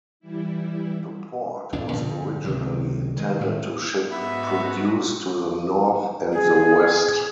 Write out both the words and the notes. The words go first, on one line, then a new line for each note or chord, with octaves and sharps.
The port was originally intended to ship produce to the North and the West.
E3 G3 E4
A1 E2 G2 D4
G2 A#2 D3 F3
C#2 C3 D#3 F#3
D#3 F#3 G#3
A2 A3
G#2 B3 F#4 E5
G#4